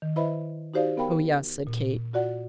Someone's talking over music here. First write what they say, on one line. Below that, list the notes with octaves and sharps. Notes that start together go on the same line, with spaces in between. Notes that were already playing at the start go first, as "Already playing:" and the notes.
"Oh, yes," said Kate.
D#3
E4 B4 C5 D#5 E5 B5
D#4 F#4 G4 C5 D5 F5
B3 A#4 F5 G5 B5
A#2
F4 F#4 D5 F#5